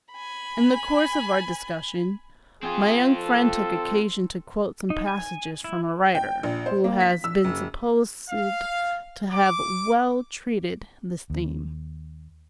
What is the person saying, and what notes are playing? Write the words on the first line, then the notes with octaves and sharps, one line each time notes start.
In the course of our discussion, my young friend took occasion to quote some passages from a writer who has been supposed to have well treated this theme.
G#5 B5
C4 F4 G#4
A4
D#4
G#5
E4
G5
A#1
C5
A#3
B6
E6
F#1
F5
D6
D#2